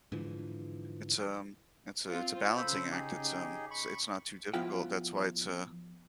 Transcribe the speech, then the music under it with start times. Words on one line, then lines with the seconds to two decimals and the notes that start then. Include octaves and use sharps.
it's, um, it's a it's a balancing act, it's, um, it's not too difficult, that's why it's a
0.12 G#2 D3 E3 F3
2.08 C4 F4
2.57 C#3 A4 C5 B5
2.91 D#4 G4 G#4
3.71 B5 C#6
4.54 F3 B3 E4 F4 G5